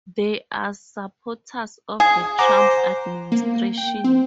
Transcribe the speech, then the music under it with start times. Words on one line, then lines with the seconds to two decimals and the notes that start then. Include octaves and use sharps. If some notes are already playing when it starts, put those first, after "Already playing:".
They are supporters of the Trump administration.
2.00 G#4
2.39 C5 F#5 A#5 D6
3.32 A#3
3.78 G5
4.04 C4